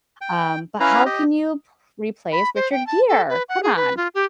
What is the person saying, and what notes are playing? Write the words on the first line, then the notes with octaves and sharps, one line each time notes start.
um, but how can you p replace Richard Gere? Come on.
G5
C#4 E4 B4 F5 A#5
G4 D#5
B5
C5
G5
A5
A4
B4
F#5
G#4
B4
F4
G4